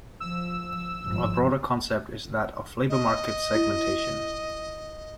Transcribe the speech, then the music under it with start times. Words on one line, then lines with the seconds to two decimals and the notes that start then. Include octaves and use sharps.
A broader concept is that of labor market segmentation.
0.20 F3 E6
1.04 G#1 G2 F3
2.89 D#5
3.55 E4